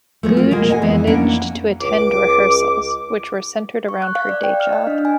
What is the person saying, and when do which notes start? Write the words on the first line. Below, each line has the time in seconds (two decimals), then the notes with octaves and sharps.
Googe managed to attend rehearsals, which were centred around her day job.
0.23 F3 G#3 A3
0.37 A#3 F4
0.51 B2 G#3 A#3 G#4
0.69 D#5 F#5 G#5
0.82 F2 E3 B3
1.07 A#3 C#4 D4 E4 F#5 G#5
1.82 C#2 D6
3.89 C#6
4.02 F#6
4.15 F5
4.29 D5
4.43 G5
4.60 F6
4.73 D#5
4.87 D4
5.05 G#5